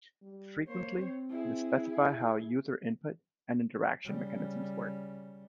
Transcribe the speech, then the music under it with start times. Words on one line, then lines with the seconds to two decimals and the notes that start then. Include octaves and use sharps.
Frequently they specify how user input and interaction mechanisms work.
0.22 G3
0.68 A#3 C5 C#5
0.98 C4
1.29 E4 G#4
4.05 C#3 G3